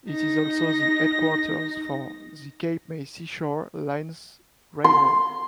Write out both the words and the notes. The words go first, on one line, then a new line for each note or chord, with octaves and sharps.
It is also the headquarters for the Cape May Seashore Lines Railroad.
D#4 A#6
C6